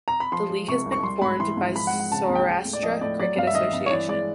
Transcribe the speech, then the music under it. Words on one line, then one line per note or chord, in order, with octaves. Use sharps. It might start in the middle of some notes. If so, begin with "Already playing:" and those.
The league has been formed by Saurashtra Cricket Association.
A#5
B5
F3 C6
G#3
C3 C#6
C2
C#6
G3 C6
G#2 B5
E3 C6
G#2
F3 B5
F#5
G#3
F#5
C#3 A5
A#5
D#2
G5
G#3
A2
D5
F3 D#5
A2 D5
F#3 D5
G2 F5
E5
D#3 D#5
G2
C#5
E3 D5
G#3 D5